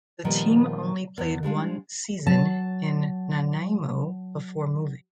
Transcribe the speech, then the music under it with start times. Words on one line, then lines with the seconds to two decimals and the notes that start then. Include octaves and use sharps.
The team only played one season in Nanaimo before moving.
0.24 A#2 D#3 F3 G3 B3
1.18 E2 B3
1.43 G3 G#3 D4 F4
2.27 F#3 A5